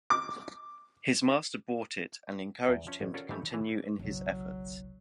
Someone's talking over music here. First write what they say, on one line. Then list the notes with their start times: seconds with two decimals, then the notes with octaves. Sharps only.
His master bought it and encouraged him to continue in his efforts.
0.10 D6
2.69 E2 G5
2.87 F3 C#4
3.01 A1
3.14 C#4 F4 A4 A#4 D5 F#5
3.29 G#2 E3 G3 A3 D#4
3.51 E3 G#4 A5
3.99 F#1 B1 F#3